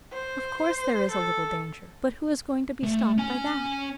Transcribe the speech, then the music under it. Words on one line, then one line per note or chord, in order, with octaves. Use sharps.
"Of course there is a little danger, but who is going to be stopped by that?"
C5
A4
A3
C#4 G#5